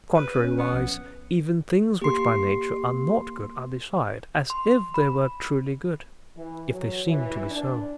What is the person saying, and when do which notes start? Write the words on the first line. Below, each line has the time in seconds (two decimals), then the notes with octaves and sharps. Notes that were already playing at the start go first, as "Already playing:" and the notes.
Contrariwise, even things which by nature are not good are desired as if they were truly good, if they seem to be so.
0.15 B4
0.38 C#4
0.58 B3
0.73 A#1
2.01 A#3 G4 C6 C7
4.50 C6
4.94 B5
6.36 E3
6.71 F#3
7.08 E3
7.51 D4